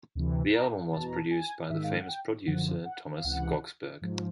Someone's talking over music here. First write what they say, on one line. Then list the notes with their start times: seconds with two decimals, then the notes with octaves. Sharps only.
The album was produced by the famous producer Thomas Skogsberg.
0.15 D2 C3 E3
0.55 A#5
0.92 E2 B2 A5
1.05 A#5
1.15 A5
1.31 G#5
1.69 G#2 D#3 E5
1.84 F5
1.96 F#5
2.08 G5
2.47 F#2 D3 F3 F#5
2.85 F#5
3.18 F5
3.24 C#2 C3 E3 F#5
4.02 G#2 F3